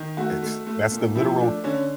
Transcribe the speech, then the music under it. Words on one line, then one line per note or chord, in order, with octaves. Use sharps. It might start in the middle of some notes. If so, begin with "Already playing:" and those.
It's that's the literal
Already playing: D#3
A3 F#4
A3
A3
A#2
F3 E4
A3 D4
D3 C#4